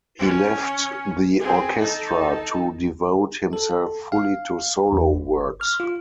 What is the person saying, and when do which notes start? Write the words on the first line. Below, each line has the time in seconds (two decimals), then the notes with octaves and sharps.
He left the Orchestra to devote himself fully to solo works.
0.19 C#4
1.39 C4 G#4
1.79 D#4 A4
3.53 A4
4.12 F5
4.92 E2
5.12 G1
5.61 F6
5.80 F4